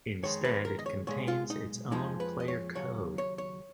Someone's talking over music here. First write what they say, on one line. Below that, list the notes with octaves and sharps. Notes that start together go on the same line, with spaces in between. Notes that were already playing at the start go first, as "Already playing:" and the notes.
Instead it contains its own player code.
F2 D#3 G#3 C#5
B4
A#4
D#5
C#5
B1 A#2 G#3 C#5
F4
D#4
F2 F3 G#3 D#4
B4
D#5
C#5
D#2 C#3 F#3 C#5
C#5
C#5